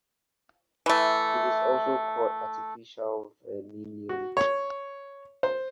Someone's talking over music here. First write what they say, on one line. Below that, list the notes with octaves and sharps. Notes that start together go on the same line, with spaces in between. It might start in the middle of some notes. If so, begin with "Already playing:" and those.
It is also called artificial vermillion.
E3 A3
F#4
C#5
C5